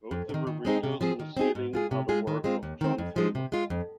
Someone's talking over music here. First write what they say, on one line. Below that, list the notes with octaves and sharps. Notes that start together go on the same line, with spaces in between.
Both the reredos and the ceiling are the work of John Hayward.
F2
C3
D#3
D#3
G#3 C4 D#4 G#4
C3
F3 C4 G#4
D#3
C4 D#4 G#4
G#2
G#3 F4 G#4
C3
G#3 F4 G#4
D#3
G#3 C4 F4
D#2
D#3 C4
F2
F3 G#3 D#4
C3
G#3 F4
F2